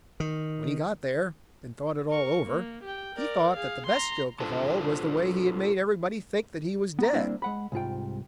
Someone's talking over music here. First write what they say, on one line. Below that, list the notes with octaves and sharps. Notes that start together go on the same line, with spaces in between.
When he got there and thought it all over, he thought that the best joke of all was the way he had made everybody think that he was dead.
D#3
A#4 C#6
A#3
G4 G5
A#4 D5
G#4 F5
A#5 C6
D4 F4 A4 C5 A5
B3 A#5
G3 A#3 C4 D4 E4
G#3 F#5 B5
C2 G#2 F4 G5